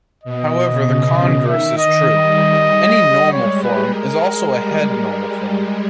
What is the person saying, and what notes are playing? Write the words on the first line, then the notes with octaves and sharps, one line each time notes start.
However, the converse is true: any normal form is also a head normal form.
B2 D#5
C#3
D#3 E5
D#5
G3
G#3 C#5
B4
A#4
G3